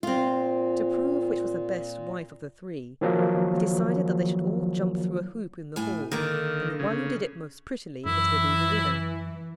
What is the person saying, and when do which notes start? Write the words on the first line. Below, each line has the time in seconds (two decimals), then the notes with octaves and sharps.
To prove which was the best wife of the three, he decided that they should all jump through a hoop in the hall, and the one who did it most prettily was to be the winner.
0.03 A#2 C4 F4
3.01 D#3 F3 F#3 A#3
5.76 A2 G#5
6.12 D3 D#3 A#3
6.79 C#3
8.05 F#2 E3 E4